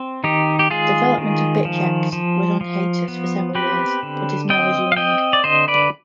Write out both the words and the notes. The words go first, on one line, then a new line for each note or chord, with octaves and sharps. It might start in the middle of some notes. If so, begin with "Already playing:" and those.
Development of BitchX was on hiatus for several years but is now resuming.
Already playing: C4
D#3 D#4 G4
G4
G#3 F4 G#4
D#3
F3
F3
F3
B3
C4 G4 B4
D3
C4 D#5 G5
F5
C4 D#5 G5
D5
D3 C5 D#5
B4 D5